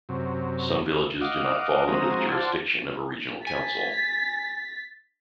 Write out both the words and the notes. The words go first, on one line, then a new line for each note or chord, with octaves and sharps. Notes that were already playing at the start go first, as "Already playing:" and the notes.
Some villages do not fall under the jurisdiction of a regional council.
F#2 C3
D#5 F5 F#5 D6
F3 G#3 C4 F#4 A#5 D#6
F4 C5 D5 F#5 A5
G#5 A6 B6